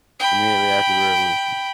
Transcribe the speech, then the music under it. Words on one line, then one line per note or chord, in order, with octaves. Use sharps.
Immediately after the Revolution.
G5 B5